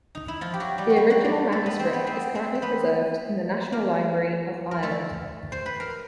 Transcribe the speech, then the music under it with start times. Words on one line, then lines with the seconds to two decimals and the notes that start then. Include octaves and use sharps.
The original manuscript is currently preserved in the National Library of Ireland.
0.15 D#4
0.28 E4
0.41 F3 F4
0.54 G4
0.60 F#3 F#4
0.78 G3 G4
0.90 F#4
0.96 G3 G4
1.10 F#3 F#4
1.24 G3 G4
1.52 A3 A4
1.66 B3 B4
1.79 C4 C5
1.93 B3 B4
2.07 C4 C5
2.35 C4 C5
2.55 C5
2.62 B3 B4
3.72 A#3 A#4
4.71 A#4
4.83 A3 A4
5.52 C5
5.66 B4
5.80 A#4